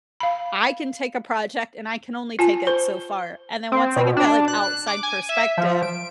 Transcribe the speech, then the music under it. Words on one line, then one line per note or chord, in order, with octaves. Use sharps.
I can take a project and I can only take it so far, and then once I get that, like, outside perspective,
F5 B5
F4 G#5 A5
C5
C4
B2
D4
F#6
D6
G#5
E5
F3
D7